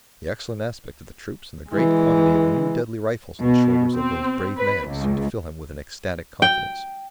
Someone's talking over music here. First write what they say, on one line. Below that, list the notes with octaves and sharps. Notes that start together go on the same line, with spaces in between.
The excellent aspect of the troops and the great quantity of new deadly rifles on the shoulders of those brave men seemed to fill him with an ecstatic confidence.
E3 G#3
B2
C4
B4
C#2
G5